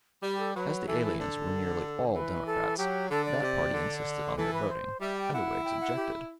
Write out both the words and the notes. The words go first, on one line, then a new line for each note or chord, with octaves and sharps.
As the aliens were nearly all Democrats, that party insisted on their voting, and the Whigs objected.
G3 G4
A4
F#3 B4
E3 A4
A4
D3 A4
E3 B4
A4
F#3 G4
D3 A4
D5
C3
D3
E3 A4
B4
C5
G3 E5
G5
E4 F#5
G5
F#5
G4